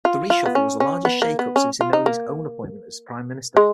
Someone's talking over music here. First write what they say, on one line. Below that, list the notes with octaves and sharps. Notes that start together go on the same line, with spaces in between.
The reshuffle was the largest shakeup since Inoni's own appointment as Prime Minister.
F4
F4
B3
C#4
C#4
B3
A#3
B3
C#4
F4
D#4
A#3
G#3